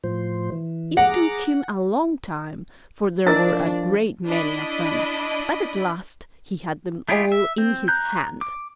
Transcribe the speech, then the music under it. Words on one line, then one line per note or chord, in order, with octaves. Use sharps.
It took him a long time, for there were a great many of them, but at last he had them all in his hand.
A2 F3 C5
E3
G#4 F#5 A#5 D6
F3 D4 E4 A#4 D#5 A6
D4 E4 D#5 B5
A3 E4 F4 G4 G#4
E5
C4
A#5 F#6 G6
D6